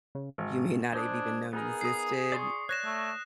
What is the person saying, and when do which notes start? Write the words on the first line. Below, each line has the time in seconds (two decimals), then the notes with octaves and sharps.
you may not have even known existed
0.15 C#3
0.38 G#1 G#2
0.93 G#3 D4 C5 D#6
1.53 B3 D#4 G#4 A#4
1.81 D#6 C7
2.32 D5 C6 C#6
2.69 C#5 D5 F#6 A#6 E7
2.85 A3